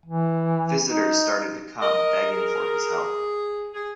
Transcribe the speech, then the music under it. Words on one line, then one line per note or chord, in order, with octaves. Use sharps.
Visitors started to come, begging for his help.
E3
D#4
A#4 D#5
G#4
G#4